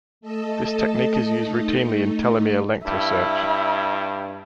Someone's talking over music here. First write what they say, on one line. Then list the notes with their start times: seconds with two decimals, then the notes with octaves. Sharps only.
This technique is used routinely in telomere length research.
0.21 A3 A4 D#5 A5
1.40 A3 D#4
2.86 G2 E4